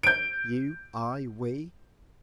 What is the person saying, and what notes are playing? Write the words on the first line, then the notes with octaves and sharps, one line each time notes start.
You, I, we.
G6 D7